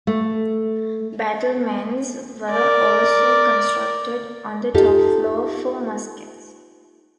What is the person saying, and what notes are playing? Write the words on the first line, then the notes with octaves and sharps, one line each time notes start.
Battlements were also constructed on the top floor for muskets.
A3
A#4 D5
D#4 F4 G4 A4